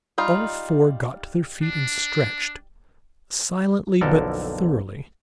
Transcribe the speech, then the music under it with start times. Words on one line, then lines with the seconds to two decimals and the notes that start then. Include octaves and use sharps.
All four got to their feet and stretched, silently but thoroughly.
0.18 G3 D#4 F4
1.62 D4
4.01 B1 F2 D3 A4 A#4 A5